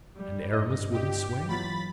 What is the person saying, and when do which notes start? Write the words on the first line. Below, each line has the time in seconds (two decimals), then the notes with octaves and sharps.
"And Aramis wouldn't swear?"
0.16 G3
0.53 G2 D#5
0.93 G4
1.48 E3 F#3 F4 B5 A6 B6